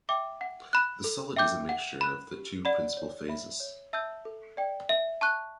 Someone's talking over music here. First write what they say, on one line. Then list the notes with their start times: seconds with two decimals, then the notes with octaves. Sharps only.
The solid is a mixture of the two principal phases.
0.09 E5 G5 D6
0.41 F#5
0.73 B5 F#6
1.04 A4
1.36 E5 G5 D6 G6
1.69 F#5
2.01 B5 F#6
2.33 G4
2.65 D5 F#5 B5
2.97 C#5
3.29 E5 B5
3.60 C#5
3.93 E5 A5 E6 G6
4.25 A4
4.57 D5 G5
4.89 E5
5.21 A5 C#6 F#6